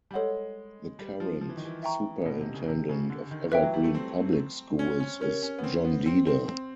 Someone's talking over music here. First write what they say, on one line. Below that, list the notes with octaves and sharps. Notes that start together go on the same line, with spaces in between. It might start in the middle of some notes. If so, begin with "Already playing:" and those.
The current Superintendent of Evergreen Public Schools is John Deeder.
G3
G#3 A4 C#5 F#5
G3
F3
F3
E3
D#3
E3
E5 G5 A#5 C#6
B2
C3
C#3
C3
C#3
D3
D#3
E3 B4 E5 G5
F#3
G3
A3
C4
C#4
C#4
C#4 G4 A#4 C#5
C#4
B3
C4
B3
C4
C4
C4